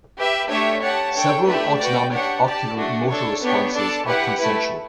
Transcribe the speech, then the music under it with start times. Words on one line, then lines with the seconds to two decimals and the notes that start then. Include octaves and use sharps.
Several autonomic ocular motor responses are consensual.
0.17 G4 B4 E5
0.49 A3 D4 G4 C#5 E5
0.81 G4 C#5 F#5 A5
1.14 D4 A4 C#5 G5
1.46 A3 D4 G4 B4 E5
1.79 F#4 B4 D5 G5
2.11 D4 G4 C#5 F#5
2.43 G4 D5 A5
2.75 A3 D4 F#4
3.08 D4 A4 C#5
3.41 B3 D4 G4 C#5
3.73 D4 A4 D5 A5
4.05 E4 G4 B4 F#5
4.38 A3 E4 B4